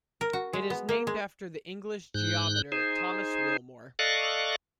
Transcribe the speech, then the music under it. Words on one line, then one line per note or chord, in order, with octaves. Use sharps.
It is named after the English geometer Thomas Willmore.
A#4
F#4
G#3
B3
A#3
G#3
G#2 F#6 G6
D#4 G#4 C5
A4 D5 D#5 F5 C#6 F#6